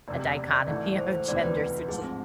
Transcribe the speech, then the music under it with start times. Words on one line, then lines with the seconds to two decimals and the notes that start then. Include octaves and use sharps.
a dichotomy of genders, which is
0.08 F1 E2 C3 D5
0.38 D5
0.53 D5
0.68 G#1 G#2 E3 A3 D5
0.83 A4
0.99 C5
1.13 C5
1.28 E1 D2 C3 E3 B3 D5
1.43 B4
1.88 A1 G#2 F3 G#4
2.04 C4